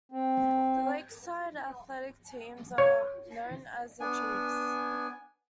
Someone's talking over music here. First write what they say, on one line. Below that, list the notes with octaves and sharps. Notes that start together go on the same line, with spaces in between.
The Lakeside athletic teams are known as the Chiefs.
C4
C#5
B3 D4 G#5